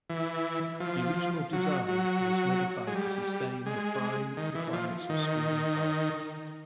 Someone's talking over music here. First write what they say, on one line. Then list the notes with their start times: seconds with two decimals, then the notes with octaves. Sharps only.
The original design was modified to sustain the prime requirements of speed and firepower.
0.10 E3
0.80 F3
1.53 F#3
1.88 F#3
2.87 G#3
2.95 G3
3.66 G#3
4.37 D#3
4.55 E3
4.73 F3
5.10 D#3